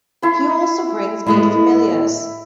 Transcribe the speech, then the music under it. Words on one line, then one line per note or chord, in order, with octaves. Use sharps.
He also brings good familiars.
E4 C6
A2 G#3 B3 E4